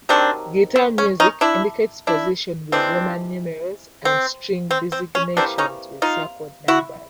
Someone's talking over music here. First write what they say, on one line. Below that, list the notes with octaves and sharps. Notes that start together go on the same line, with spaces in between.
Guitar music indicates position with Roman numerals and string designations with circled numbers.
C3 D#3 F#3 C4 D4
C4
C#4
C#4 D#4
D4 E4
D4 E4
C3 E3 G#3 C4 D4
C4
C4
C4
C#4
C3 E3 G3 A#3 C4 D4
C#4 D#4
D#4 F4
E4 F#4